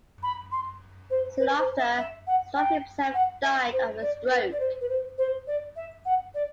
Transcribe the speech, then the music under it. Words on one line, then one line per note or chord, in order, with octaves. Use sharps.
Soon after, Struve himself died of a stroke.
B5
C6
C5
B4
C5
E5
E5
F#5
G5
F#5
E5
C5
D5
B4
D5
C5
B4
C5
C5
D5
E5
F#5
D5